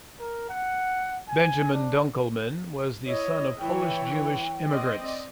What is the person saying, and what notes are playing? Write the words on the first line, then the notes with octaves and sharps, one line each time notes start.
Benjamin Dunkelman was the son of Polish-Jewish immigrants.
A#4
F#5
G#5
D4
E4 C#5 D#5
E3 C#5 G5
C4 D5 D#5